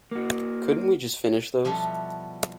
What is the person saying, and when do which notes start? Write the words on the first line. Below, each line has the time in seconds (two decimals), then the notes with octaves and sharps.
Couldn't we just finish those?
0.11 A#3 F#4
1.65 B2 F3 G3 E4 F#4 A4